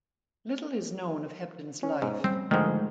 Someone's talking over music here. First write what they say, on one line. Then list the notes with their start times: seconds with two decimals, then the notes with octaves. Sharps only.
Little is known of Hebden's life.
1.83 C#4
2.02 G#2
2.24 G3 C4
2.51 G#2 D3 D#3 F3 G#3 A3 G#4 G5